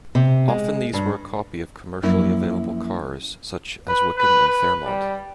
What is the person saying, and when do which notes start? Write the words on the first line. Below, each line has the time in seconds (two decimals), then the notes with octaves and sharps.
Often these were a copy of commercially available cars, such as Wickham and Fairmont.
0.15 C3
0.48 G#3
0.93 G2
2.03 F#2 F3 A#3 C#4 E4
3.88 B4
4.17 B4
4.48 B4
4.85 G3